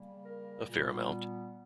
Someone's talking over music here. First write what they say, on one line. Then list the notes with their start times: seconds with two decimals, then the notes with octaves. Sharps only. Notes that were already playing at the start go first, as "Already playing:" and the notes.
A fair amount.
Already playing: C#3 G3 A#3
0.23 A#4
0.68 A#2 G3 B3